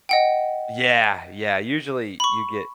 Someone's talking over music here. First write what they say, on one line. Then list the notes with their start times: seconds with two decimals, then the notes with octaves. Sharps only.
Yeah, yeah, usually you get
0.09 D#5 F#5 G5
2.20 B5 C#6